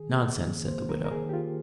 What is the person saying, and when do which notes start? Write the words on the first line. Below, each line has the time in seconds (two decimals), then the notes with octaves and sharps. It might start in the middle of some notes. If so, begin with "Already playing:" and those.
"Nonsense," said the widow.
Already playing: D#3 G#4
0.09 A#3
0.39 D#3
0.68 A#3 C5
0.89 A#4
0.97 D#3
1.05 A#4
1.11 G#4
1.26 D#3 G4
1.33 F4